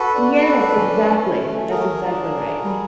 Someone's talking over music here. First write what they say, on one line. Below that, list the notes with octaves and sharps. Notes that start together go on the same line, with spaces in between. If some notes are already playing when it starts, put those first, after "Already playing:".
Yes, exactly. That's exactly right, mm
Already playing: F#4 A4 B4
D4
D4
C#4
C#4
A3
F#3 G#4 A#4
D4
F#3
G3